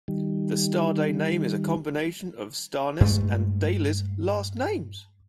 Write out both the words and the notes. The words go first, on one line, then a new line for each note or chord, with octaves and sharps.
The Starday name is a combination of Starnes' and Daily's last names.
D#3 G3
G2 G#3 A3